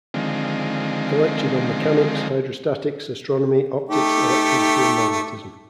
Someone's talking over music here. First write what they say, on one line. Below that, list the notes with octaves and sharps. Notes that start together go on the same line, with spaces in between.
He lectured on mechanics, hydrostatics, astronomy, optics, electricity and magnetism.
D3 D#3 F3 G#3 C4
A3 D#4 G4